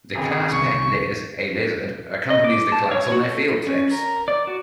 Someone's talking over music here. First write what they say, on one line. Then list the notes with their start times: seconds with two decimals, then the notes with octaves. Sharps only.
The class pet Liz, a lizard, accompanies the class on their field trips.
0.15 G#1 C#2 G#4
0.50 C2 D3 D#3 C#6
2.30 D#5
2.44 D6
2.72 A5
2.91 C#5
3.12 F#4
3.28 A4
3.67 C#4
3.91 A#4
4.28 D5
4.47 F#4